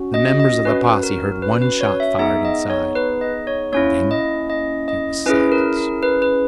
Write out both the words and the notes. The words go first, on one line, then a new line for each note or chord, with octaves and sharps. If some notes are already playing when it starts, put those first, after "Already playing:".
The members of the posse heard one shot fired inside, and then there was silence.
Already playing: C#4 F#4
D#5
D#5
C#4 F#4 B4
A#4
B4
B4
C#5
E5
B3 D#4 G#4 E5
D#5
C#5
B4
D#5
C#5
A#3 C#4 E4 C#5
D#5
D#5
D#5
C#4 E4 G#4 B4
A#4
A#4
B4
B4